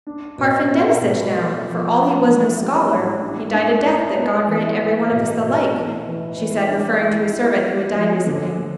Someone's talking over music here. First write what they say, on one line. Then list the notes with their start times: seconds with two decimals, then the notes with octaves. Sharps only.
"Parfen Denisitch now, for all he was no scholar, he died a death that God grant every one of us the like," she said, referring to a servant who had died recently.
0.07 D4
0.38 B2
0.70 B2
1.01 B2
1.32 A3
1.64 F3
1.96 B3
2.27 E3
2.59 G3
2.90 A2
3.22 D4
3.54 D4
3.85 E4
4.17 B3
4.48 E3
4.79 E3
5.11 B2
5.43 B2
5.74 A2
6.06 E3
6.37 E3
6.69 D4
7.00 E4
7.32 E4
7.63 B3
7.95 F3
8.27 D3
8.58 A3